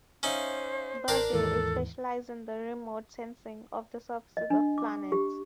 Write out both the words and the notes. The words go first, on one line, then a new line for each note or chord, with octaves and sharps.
Bussey is specialized in the remote sensing of the surfaces of planets.
C#4 D#4 C5 C#5 E5 F5
A1 D4 A#4 D5 C7
D#2 G#2 E3 A4
D#5
D4
D6
G4